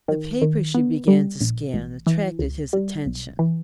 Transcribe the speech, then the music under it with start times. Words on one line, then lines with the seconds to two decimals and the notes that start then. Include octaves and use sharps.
The paper she began to scan attracted his attention.
0.08 D#3
0.42 D#3
0.75 B3
1.08 G3
1.41 A#1
1.74 A1
2.07 E3
2.39 C#2
2.73 G3
3.06 B1
3.39 E3